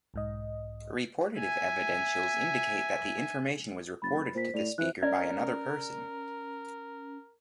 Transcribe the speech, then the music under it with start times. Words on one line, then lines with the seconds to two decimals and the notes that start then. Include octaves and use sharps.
"Reportative" evidentials indicate that the information was reported to the speaker by another person.
0.14 B1 G#2 D#5
1.40 E5 G#5
4.02 F#1 B5 A6
4.35 A#2 C5 B6
4.54 A2 D5 F7
4.78 E3 C5 E5 F#6
5.03 C#4 A#4 D5